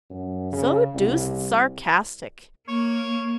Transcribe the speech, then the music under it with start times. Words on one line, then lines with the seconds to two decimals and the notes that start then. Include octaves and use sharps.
'So deuced sarcastic!
0.10 F#2
0.52 C#3
0.94 C2
2.68 A#3 C#5